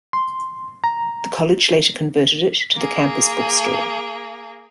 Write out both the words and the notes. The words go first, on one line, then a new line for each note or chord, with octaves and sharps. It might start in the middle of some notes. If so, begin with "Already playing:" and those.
The college later converted it to the Campus Bookstore.
C6
A#5
A#3 G#4